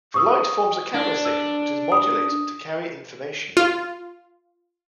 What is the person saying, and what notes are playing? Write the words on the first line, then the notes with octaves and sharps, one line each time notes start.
The light forms a carrier signal that is modulated to carry information.
C#6 D#6 E6
D4
E6
D#6
F4